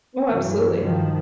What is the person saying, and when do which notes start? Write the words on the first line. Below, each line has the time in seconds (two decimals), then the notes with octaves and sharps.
Oh, absolutely.
0.31 G2 E3 F#3
0.81 G2 D#3 F3